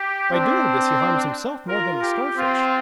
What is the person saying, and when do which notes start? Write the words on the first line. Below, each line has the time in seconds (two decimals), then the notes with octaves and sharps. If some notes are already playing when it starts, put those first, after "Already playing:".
By doing this he harms himself more than the Starfish!
Already playing: G4
0.31 C4 D4
1.00 D4
1.68 F4 A#4
2.02 G4
2.36 C4 F4